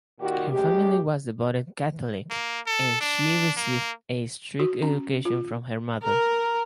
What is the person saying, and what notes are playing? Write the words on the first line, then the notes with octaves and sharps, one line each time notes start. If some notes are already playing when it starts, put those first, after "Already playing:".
Her family was devout Catholic and she received a strict education from her mother.
A#2 D#3 F#4 G4
F#2 G#3 A3 G4
A#3
A4
D4
A#3
F#4
C#4
F4
A#4